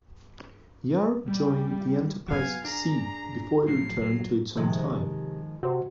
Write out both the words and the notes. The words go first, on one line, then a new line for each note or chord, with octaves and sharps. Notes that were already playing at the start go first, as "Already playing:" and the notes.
Yar joined the "Enterprise"-C before it returned to its own time.
G3
F#3 B3 F5 G#5
D4 G#4 A#5
A2 F3 F#3 C7
F#3
C3 D#3 F3 G#3
C3 F#4 C5